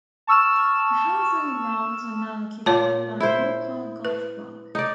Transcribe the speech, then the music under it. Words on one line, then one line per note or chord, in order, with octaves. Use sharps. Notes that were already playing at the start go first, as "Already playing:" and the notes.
The house and grounds are now occupied by Moor Park Golf Club.
A5 C#6 E6 F6 E7
A#2 C#5 A5
E4 C5
B4
D#4 D5